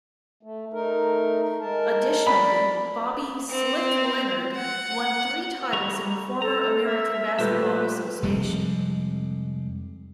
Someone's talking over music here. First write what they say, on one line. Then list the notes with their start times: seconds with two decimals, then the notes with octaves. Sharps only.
Additionally, Bobby "Slick" Leonard won three titles in the former American Basketball Association.
0.43 A3
0.73 A3 D#4 A#4
1.61 G#3 A#4 A5
2.27 D5 B5
3.50 C4
4.56 F#5
5.73 G3 A#5 C#6
6.42 A4 A#5
6.85 E5
7.39 A#2 G3 A3 G4 B4 C5 E5
8.22 F1 F2 G3 G#3